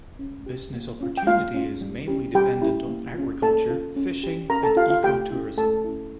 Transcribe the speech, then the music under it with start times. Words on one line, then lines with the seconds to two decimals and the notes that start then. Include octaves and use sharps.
Business opportunity is mainly dependent on agriculture, fishing, and eco-tourism.
0.19 C#4
0.46 G4
0.74 A#3
1.01 C#4 F4
1.17 G5
1.27 A#3 F4 F5
1.54 C#4 F4
1.81 G3
2.08 C#4 E4 G4
2.34 G3 G4 G5
2.61 C#4 E4 G4
2.88 A#3
3.15 C#4 F4
3.42 A#3 A4 A5
3.69 C#4 F4
3.96 C#4
4.23 G4
4.50 C#4 A#4 A#5
4.63 A4 A5
4.77 F4 G4 F5
4.90 F4 F5
5.04 A3 G4 G5
5.30 C#4 E4
5.58 A3 A4 A5
5.84 C#4 E4